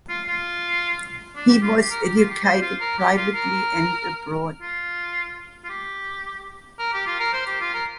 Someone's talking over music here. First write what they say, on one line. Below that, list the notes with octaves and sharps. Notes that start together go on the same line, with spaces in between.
He was educated privately and abroad.
F4
F4
D4
G4
F4
G4
A#4
G4
F4
G4
C5
F4
A#4
G4
F4
A#4
F4
F4
G4
A#4
G4
F4
A#4
C5
G4
F4
A#4